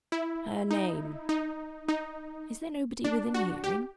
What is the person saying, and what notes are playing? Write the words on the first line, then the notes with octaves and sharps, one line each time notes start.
Her name--is there nobody within hearing?'
E4
D#4
D#4
D#4
D4
F#4
G4